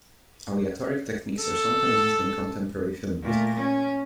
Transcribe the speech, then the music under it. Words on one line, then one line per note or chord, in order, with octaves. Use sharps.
Aleatoric techniques are sometimes used in contemporary film music.
A4
A#2 A3
C#4